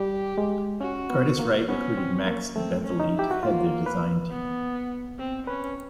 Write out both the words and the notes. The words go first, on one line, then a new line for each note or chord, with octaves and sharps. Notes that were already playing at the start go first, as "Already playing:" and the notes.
Curtiss-Wright recruited Max Bentele to head their design team.
Already playing: G3 G4
G#3
C#4 F#4
B3
A#3
B3 C#4
C4
A#3
A3 C4
C#4
D#4
E4 G4
F#4
A#3 F4
B4
B3
C4
C#4 B4